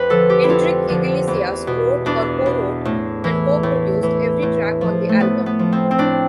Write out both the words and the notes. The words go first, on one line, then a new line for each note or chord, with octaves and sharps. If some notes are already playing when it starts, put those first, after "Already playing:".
Enrique Iglesias wrote or co-wrote and co-produced every track on the album.
Already playing: F2 B4
D3 F3 A4
G4
E4
F2 F4
D3 F3
E2
B2
E2 D4
B2
A2
E3
A2
E3
A2
F3
A3
A2 B3
B3
F3
C4
C4
A2 D4